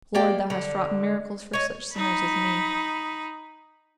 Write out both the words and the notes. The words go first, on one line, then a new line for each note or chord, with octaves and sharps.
Lord, thou hast wrought miracles for such sinners as me!
A#3 G4 D5 G5
D3
C#5 D#5
D#4 B5